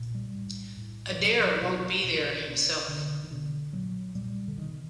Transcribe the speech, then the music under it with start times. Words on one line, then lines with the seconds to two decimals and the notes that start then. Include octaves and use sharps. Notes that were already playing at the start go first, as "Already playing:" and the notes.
Adair won't be there himself.
Already playing: A#2
0.15 G3
0.35 A2
0.77 A2
1.09 G3
1.20 B2 F#3
1.41 F#3
1.62 B2 F#3
2.04 B2 F3
2.47 B2
2.88 B2 D3
3.24 D#3
3.30 B2 D3
3.73 A#2 F#3
4.15 A#2 G3
4.48 D3
4.57 B2 D#3